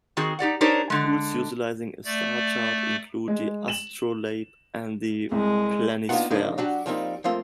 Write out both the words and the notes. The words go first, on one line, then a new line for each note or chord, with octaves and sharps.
Tools utilizing a star chart include the astrolabe and the planisphere.
D#3 C4 F#4 G#4
D#4 G4 D5 F#5
D4 D#4 G4 A#4 C5 C#5
D3 G#3
A3 D5
G#3
E7 F#7
C2 G#3
A#3 B3 D4 D#4 F4 F#5
C#3 F3 G#3 A#3 D4 D#4
F#3 D4 F#4 G4
F3 G3 A#3 C4 C#4 D#4
F3 A3 A#3 C4 F4